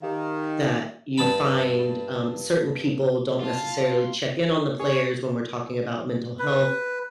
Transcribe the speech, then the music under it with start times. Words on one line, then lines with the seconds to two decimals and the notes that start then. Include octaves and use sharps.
that you find, um, certain people don't necessarily check in on the players when we're talking about mental health
0.02 D#3 G4 F5
1.18 G2 A5 B5
3.41 F4 F5 A5
4.80 G#4 C#5
6.39 B4